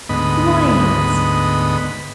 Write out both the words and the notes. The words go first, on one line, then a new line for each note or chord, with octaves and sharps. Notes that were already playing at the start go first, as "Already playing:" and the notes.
'Good morning, Hans.
D2 G#2 B3 D#5 B5